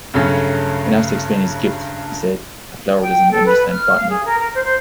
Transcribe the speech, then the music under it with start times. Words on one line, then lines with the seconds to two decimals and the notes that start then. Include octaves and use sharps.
When asked to explain his gift he said, A flower doesn't understand botany.
0.14 G2 C#3 F#3 A3 C#4
3.02 G5
3.32 A4
3.44 B4
3.72 F6
3.97 F5
4.09 G#4
4.26 A#4
4.39 A#4
4.53 C5
4.64 C5